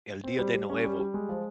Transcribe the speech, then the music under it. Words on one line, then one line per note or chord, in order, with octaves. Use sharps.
el dios de nuevo.
C4
G3
G3
C#4
G3
G3
G#3
F3